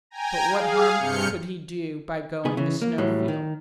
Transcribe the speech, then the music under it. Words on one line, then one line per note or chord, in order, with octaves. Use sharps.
But what harm could he do by going to Snowfield?
G5 G#5 A#5
G#4 F5
G2 C3 F6 G6 C#7
C2 B3 G#4
C#3 E3
A#3
A2 E3 F#3 G3
D#3